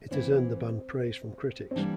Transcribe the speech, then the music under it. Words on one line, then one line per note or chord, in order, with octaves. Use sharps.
It has earned the band praise from critics.
E3 A#3 C4 E4
C4
E3 G3 A#3 D4